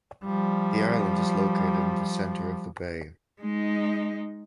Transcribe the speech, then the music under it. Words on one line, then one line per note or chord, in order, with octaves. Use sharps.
The island is located in the center of the bay.
F3 G3
G#3 D#4